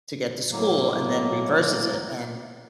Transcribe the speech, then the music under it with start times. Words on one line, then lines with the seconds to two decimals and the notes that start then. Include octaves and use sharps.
to get to school and then reverses it and
0.52 A2 F#3 A#3